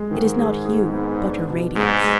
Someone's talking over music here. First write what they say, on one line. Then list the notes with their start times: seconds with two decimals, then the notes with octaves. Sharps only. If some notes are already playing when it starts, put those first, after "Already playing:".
It is not you, but your radiance.
Already playing: G#3
0.11 G#2 D#3
0.38 G#4
0.65 G#4
0.93 B3
1.21 D4
1.48 B2
1.76 G#2 G#3
2.03 G#3